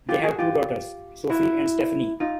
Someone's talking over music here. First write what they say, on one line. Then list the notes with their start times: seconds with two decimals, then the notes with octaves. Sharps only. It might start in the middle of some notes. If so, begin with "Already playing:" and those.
They have two daughters, Sophie and Stephanie.
0.09 F4 G4
0.24 F#4 G#4
0.39 F4 G4
1.30 E4 F#4
2.20 D#4 F4